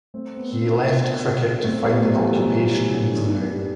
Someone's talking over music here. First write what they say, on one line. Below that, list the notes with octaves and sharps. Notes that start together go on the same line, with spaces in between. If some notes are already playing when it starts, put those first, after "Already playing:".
He left cricket to find an occupation in brewing.
A3 C4
B3
C4
B3 D4
A3 C4
G3 B3
F#3 A3
E3 G3
F#3 A3
E3 G3
D3 F#3
B3 D4
G3 B3